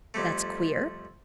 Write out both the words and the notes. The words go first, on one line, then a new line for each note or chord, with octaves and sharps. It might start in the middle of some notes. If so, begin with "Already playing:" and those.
"That's queer."
F2 G3 A3